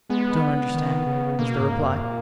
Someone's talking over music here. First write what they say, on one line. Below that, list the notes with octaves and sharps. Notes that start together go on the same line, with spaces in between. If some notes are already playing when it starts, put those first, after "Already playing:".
"I don't understand," was the reply.
G#3 B3
D#3
C#3
B2 A#3
G#2
F#2
A#2